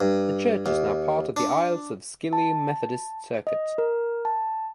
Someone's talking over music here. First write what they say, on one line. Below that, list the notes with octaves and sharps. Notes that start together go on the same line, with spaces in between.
The church is now part of the Isles of Scilly Methodist Circuit.
G2
D#2
D4
A5
D#5
A#4
A5